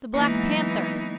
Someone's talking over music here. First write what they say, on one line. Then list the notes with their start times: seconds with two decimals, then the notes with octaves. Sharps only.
The black panther!
0.14 E3 A#3 B3 D#4
0.27 G#3
0.39 F#3